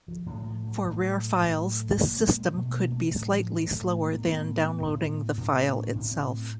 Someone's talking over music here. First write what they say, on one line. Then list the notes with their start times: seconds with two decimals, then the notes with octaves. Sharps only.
For rare files this system could be slightly slower than downloading the file itself.
0.08 F3
0.26 A2 F3
0.38 F#3
0.46 F3
0.64 F#3
0.84 A2
1.41 A2
1.97 A#2 F#3
2.17 G3
2.35 G#3
2.54 B2 A3
2.67 A3
2.73 A#3
2.87 A#3
2.92 A3
3.11 A2 G3
3.29 F3
3.49 G3
3.67 A2 A3
3.87 A3
4.05 A#3
4.18 A#3
4.24 A2 B3
4.80 A2
5.38 A2 C4
5.56 B3
5.75 C#4
5.95 A2 C4
6.13 C4